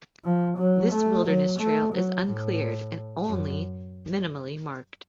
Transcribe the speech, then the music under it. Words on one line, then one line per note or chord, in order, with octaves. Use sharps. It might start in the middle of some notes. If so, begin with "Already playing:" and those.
This wilderness trail is uncleared and only minimally marked.
F3
F#3
A3
F#3
A3
F#3
A2
F#2